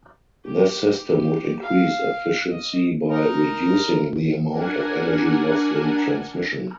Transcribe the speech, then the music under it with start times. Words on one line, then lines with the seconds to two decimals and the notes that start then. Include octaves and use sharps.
This system would increase efficiency by reducing the amount of energy lost in transmission.
0.45 G4
0.98 G4
1.62 F5
2.51 D#5
3.08 D#4 A#4
4.49 D4 A#4 F#5 G#5